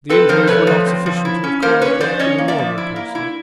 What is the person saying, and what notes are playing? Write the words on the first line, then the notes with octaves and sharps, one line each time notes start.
The injuries were not sufficient to have caused death in a normal person.
C4 A4 B4
F3 A#4 C5
A3 B4 C#5
F3
C4
F3
E4
C#4
A#3 A#4 C5
C#4 B4 C#5
F3 C5 D5
C#4 C#5 D#5
A#3
D5 E5
F3
E4
A#3
E4